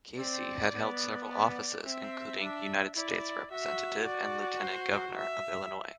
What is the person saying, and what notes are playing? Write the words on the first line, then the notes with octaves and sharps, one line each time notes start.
Casey had held several offices including United States Representative and Lieutenant Governor of Illinois.
C4 D5
B3
D5
C4 E5
D4
E4 D5
F#4 E5
D5
C5
E5